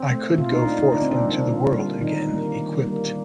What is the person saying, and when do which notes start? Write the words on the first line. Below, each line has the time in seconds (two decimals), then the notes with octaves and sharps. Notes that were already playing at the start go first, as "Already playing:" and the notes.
I could go forth into the world again, equipped.
Already playing: C4
0.11 A3
0.38 A#2 F4
0.52 D#4
0.65 A3 D4
0.79 D#4
0.92 D3 D4
1.02 C4
1.11 D4
1.20 G3 A#3
1.29 D#4
1.47 D3 F4
1.74 G3 A#3
2.02 D#3 D#4
2.29 G3 A#3
2.56 D#3
2.84 G3 A#3